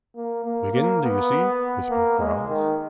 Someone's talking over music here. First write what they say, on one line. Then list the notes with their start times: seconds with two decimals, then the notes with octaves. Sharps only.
"Wigan, do you see?" whispered Quarles.
0.15 A#3
0.44 A#3
0.73 A#3
1.02 B3
1.90 A#3
2.19 G#3
2.48 D#3